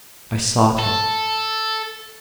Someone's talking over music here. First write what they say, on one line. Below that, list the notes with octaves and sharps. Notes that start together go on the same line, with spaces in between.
I sought him.
A4